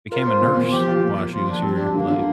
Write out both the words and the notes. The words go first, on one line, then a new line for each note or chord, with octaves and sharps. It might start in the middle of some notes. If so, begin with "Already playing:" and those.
became a nurse while she was here, like
F4 A#4
C4
A#2
A#2
F3 G4
F4
A#3
A#3
F3 F4
F3 D4
G3 C4
D4
G2
D3 A#3
D3